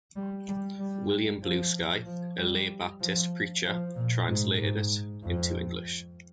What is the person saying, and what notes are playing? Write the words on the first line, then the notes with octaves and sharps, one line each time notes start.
William Bluesky, a lay Baptist preacher, translated it into English.
G3
G3
G3
F3
F3
G3
F3
F3
A#2
G#2
G#2
F2